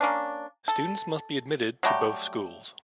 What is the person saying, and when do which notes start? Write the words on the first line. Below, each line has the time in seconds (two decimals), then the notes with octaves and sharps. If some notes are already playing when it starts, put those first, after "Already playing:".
Students must be admitted to both schools.
0.01 A#3 C#4 D4
0.68 A4
1.83 F#3 G3 A3 G4